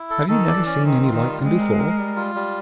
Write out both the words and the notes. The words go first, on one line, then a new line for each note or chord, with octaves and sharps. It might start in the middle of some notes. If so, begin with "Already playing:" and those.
"Have you never seen any like them before?"
Already playing: E4
A4
D#3 A4
D5
E3
C#4
D#3 C4
F4
D#3
G3
G#3 C4
A#4
A#4
G3
F4
G3